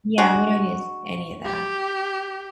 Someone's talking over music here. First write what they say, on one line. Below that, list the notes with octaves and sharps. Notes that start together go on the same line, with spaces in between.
Yeah, we don't use any of that.
G#3 D4 F#4
G4